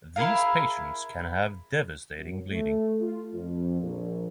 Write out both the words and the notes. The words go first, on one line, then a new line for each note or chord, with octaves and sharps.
These patients can have devastating bleeding.
E4 G#4 A#4 F5
F#2
A3
F4
F2
A#1